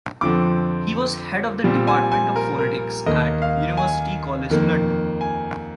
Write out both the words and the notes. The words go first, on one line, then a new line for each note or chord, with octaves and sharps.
He was head of the Department of Phonetics at University College, London.
F2 D3 F3 C4 D6
A#2 G3 C4
G#5
G#5
A#4
A#4
D#2 D#3 A#3 D#5
F5
G#5
F2 D#3 A#3
G#5